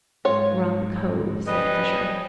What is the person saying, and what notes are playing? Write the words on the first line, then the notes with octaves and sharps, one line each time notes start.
"Rum cove," said Fisher.
G#2 F4 C#5
F3 G3 C#4 B4 D#5